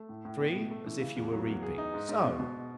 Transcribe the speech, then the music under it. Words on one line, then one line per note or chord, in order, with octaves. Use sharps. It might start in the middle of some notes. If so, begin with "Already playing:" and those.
Three, as if you were reaping--so.
Already playing: A3
A2
A2
B3
B2
A3
E3
C#3
E2
F#3
E2
G#4
D#4
G#2
G#2
B2
B2